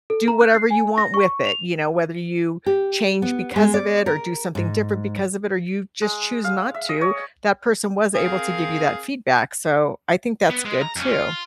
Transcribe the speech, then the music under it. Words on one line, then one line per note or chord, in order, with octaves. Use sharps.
do whatever you want with it, you know. Whether you change because of it or do something different because of it, or you just choose not to, that person was able to give you that feedback, so, I think that's good too.
A4
A#5
F#6
C7
G#5
A#6
C#6
F7
G4
B3
G#3
D5
A#4
G#2
G#3
F5
E5
D#5
C#5
C4 G#4 A#4 F5
B3
G#3
A#5
F2 C#4
F4